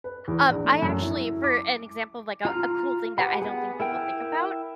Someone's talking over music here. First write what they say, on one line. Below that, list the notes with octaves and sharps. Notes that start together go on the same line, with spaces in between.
Um, I actually for an example of, like, a a cool thing that I don't think people think about,
B4
E2
A#1
A3
F#2
E4
D6
F4 A#5 F6
G4 B4 F#5 B5
B3 G#4
E4 A#4 G5